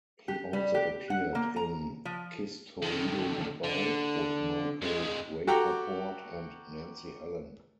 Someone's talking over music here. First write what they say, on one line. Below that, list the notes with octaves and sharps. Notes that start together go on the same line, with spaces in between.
He also appeared in "Kiss Toledo Goodbye" with Michael Rapaport and Nancy Allen.
G4
G3
G4
F#5
A#3
A#5
F3
D3 D#3
D3
F2 G#3
F#4 G4 A4 G5 A#5